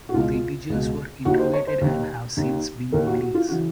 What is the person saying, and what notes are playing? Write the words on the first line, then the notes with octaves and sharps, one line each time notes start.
Both individuals were interrogated and have since been released.
F#4
C#2 B2 F4
C#2 B2
D#2 D#3 F#4
C5
C#5
C5
D#2 D#3
D#2 D#3
D#2 D#3 A#4
F#4
F#4
F4
C#3 E3 F#4